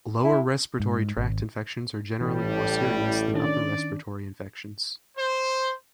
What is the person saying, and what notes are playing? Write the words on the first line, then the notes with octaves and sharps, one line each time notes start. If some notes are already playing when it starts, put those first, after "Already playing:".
Lower respiratory tract infections are generally more serious than upper respiratory infections.
E4
G#2
G#1
A1 A2 E3 G3
D#3 C#4 D4 D5
C5